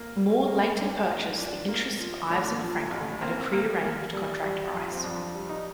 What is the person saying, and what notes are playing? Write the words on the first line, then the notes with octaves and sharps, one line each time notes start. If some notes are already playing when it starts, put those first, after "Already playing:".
Moore later purchased the interests of Ives and Franklin at a pre-arranged contract price.
Already playing: A#3
G3
A#3
G2
A#3
F3 D4
A#3
F3
A2 D4
F3
A1
A#3 C4
A#3
A#3
G3
G3
F2
C4
F2 D4
G3
D#4